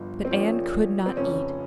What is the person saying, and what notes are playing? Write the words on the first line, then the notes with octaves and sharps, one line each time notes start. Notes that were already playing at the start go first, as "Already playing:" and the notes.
But Anne could not eat.
Already playing: G1 G2 F3
C4
A#1 A#2 F3 C#4
C4
F1 F2 C#3 C#4